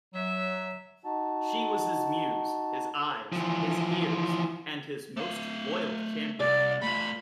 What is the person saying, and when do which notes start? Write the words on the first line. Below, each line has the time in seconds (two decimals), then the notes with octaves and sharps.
She was his muse, his eyes, his ears, and his most loyal champion.
0.14 F#3 E5
1.05 D#4 F#4 A5
3.32 E3 F3
5.17 A3 F5
6.40 C2 D5
6.83 A3 F4 B5